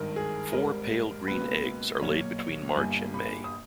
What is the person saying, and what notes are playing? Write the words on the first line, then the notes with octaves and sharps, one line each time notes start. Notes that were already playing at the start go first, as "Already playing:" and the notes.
Four pale green eggs are laid between March and May.
Already playing: G#1 G2 D#3 A#4
G#4
G#1 G#2 G3 A#4
C#2 B2 A#3 B4
B1 A#2 A#3 C#5
C#5
G1 G2 G3 A#3 G#5
B5
D#6